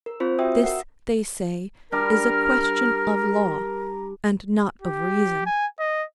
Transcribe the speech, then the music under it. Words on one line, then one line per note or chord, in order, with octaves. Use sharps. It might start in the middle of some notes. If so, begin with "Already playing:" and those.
This, they say, is a question of law and not of reason.
A#4
C4 F4 C5
F#4 E5 G5 D#6
A#4 F#5
G3 D4 A#4 A#5 F6
G4
G#5
D#5